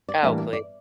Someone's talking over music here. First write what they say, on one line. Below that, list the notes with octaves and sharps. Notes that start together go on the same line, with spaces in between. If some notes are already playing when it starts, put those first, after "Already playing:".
Oh, please.
D5
A2 E3 G3 A#3 D4 E5
D5
D5